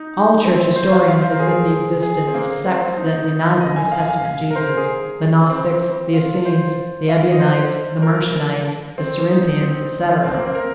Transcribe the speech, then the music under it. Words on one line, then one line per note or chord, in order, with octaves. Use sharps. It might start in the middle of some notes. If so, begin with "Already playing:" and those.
All church historians admit the existence of sects that denied the New Testament Jesus--the Gnostics, the Essenes, the Ebionites, the Marcionites, the Cerinthians, etc.
Already playing: D#4
C4
C5
F5
F5
C5
A#4
G#4
G#4
C4
A#3
C4
D#4
D#5
G#5
F5
G#5
F5
A#4
C5
G#4
C4
F4
C5
F5
D#5
C5
A#4
C4
D#4
C4
C4
A#3
C4
A#4